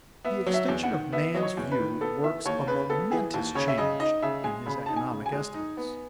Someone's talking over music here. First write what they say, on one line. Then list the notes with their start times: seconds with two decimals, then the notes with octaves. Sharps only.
The extension of man's view works a momentous change in his economic estimates.
0.24 B3 E5
0.47 F#3
0.54 E5
0.68 E2
0.83 F#5
0.91 D#3
1.12 B3 E5
1.35 F#3 D#5
1.43 C#5
1.57 E2
1.72 B4
1.79 D#3
2.01 B3 A4
2.24 E3 E5
2.45 D#2 C#5
2.67 C#3 B4
2.90 B3 A4
3.11 E3 G#4
3.34 D#2
3.55 C#3 C#5
3.68 E5
3.78 C#3 D#5
4.00 D#4 D#5
4.22 C#3 E5
4.44 G#3 G#5
4.66 C#3 B5
4.86 D#4 A5
4.96 G#5
5.11 C#3
5.26 G#5
5.33 G#3
5.54 D#4
5.77 B3